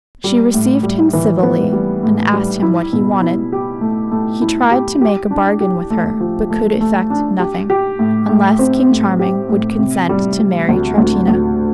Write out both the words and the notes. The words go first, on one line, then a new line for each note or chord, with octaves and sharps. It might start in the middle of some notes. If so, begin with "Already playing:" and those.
She received him civilly, and asked him what he wanted. He tried to make a bargain with her but could effect nothing, unless King Charming would consent to marry Troutina.
G3
A2
G3
E3
B3
G3
A2
G3
E4
B2
E4
G4
A3
A3
E4
G4
G4
D4
G4
A3
F3
A3
A3
D4
G4
G4
A2
A2
C4
A2
G4
A2
C3
G3
G3
D2
D2
D2